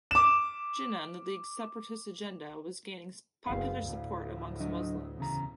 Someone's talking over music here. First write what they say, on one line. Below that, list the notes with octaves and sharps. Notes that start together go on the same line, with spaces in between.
Jinnah and the League's separatist agenda was gaining popular support amongst Muslims.
D6 E7
F#1 B3 F5
D2 A2
F#3 D4 D#5
E2 C#3 A#5